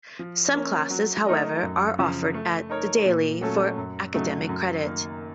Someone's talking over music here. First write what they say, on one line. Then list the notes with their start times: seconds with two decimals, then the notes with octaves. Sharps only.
Some classes, however, are offered at The Daily for academic credit.
0.19 F3
0.55 A#3 C#4
0.90 F#3
1.27 A3 D#4 A#4 D#5
1.63 F#2
1.98 C#3 F3
2.34 A3
2.69 D#4 A#4 C#5
3.05 A#2
3.41 F#3 A3 C#4 A4
3.78 F#2
4.13 C#3 F#3 A3 D#4
4.49 F#2
4.85 D#3 A#3